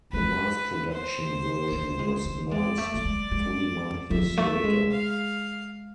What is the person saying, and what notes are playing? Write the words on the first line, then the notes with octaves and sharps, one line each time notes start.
The mass production version was announced three months later.
G#3 B4
C5
A3
G#3
A3
G#3 D5
A3
A3
G#3
G#3
F3 E5
A3
G#3
F5